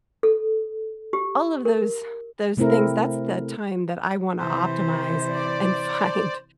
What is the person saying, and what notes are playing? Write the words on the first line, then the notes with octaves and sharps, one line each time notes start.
All of those those things, that's the time that I wanna optimize and find,
A4
G4
A#4
C3 A3 C4 E4 A#4
C3 E3 C5
D5